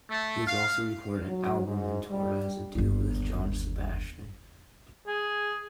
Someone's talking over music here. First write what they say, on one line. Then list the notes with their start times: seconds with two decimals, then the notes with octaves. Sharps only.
He has also recorded an album and toured as a duo with John Sebastian.
0.10 A3
0.47 F5
1.27 F#3
1.66 G#2
2.09 G3
2.75 G1 D#2
5.07 G#4